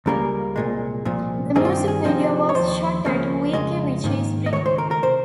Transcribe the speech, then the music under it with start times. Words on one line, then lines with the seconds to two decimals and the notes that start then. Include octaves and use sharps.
The music video was shot at Weeki Wachee Springs.
0.06 C#2 C#3 G3 A#3 A#4
0.56 C2 A#2 G#3
1.05 C2 A#2 F3
1.55 G2 D#3 G3 C4 D#4 G#4
1.65 F4
1.72 G4
1.88 G#4
2.04 C3 F3 C4 D#4
2.49 C#5
2.55 D#2 C#3 F3 C5
3.04 C#2 C#3 F3 A#3 C#4
3.53 F2 C#3 G#3 D#5
4.04 G#2 D#3 A#3
4.46 D#5
4.53 C#2 C3 D#3 C#5
4.66 C5
4.78 A#4
4.91 A#4
5.03 C3 C5